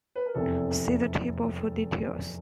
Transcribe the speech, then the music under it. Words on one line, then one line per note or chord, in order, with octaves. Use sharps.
See the table for details.
B4
A#4
F1 E2 C3 A4